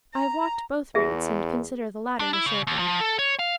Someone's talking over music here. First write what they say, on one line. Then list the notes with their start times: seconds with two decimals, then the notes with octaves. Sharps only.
I have walked both routes and consider the latter the shorter.
0.13 A#5
0.95 E2 G#4 E5
2.20 D4
2.33 E4
2.46 C#3
2.67 D#2
2.79 F3
3.00 A4
3.19 C#5
3.39 F5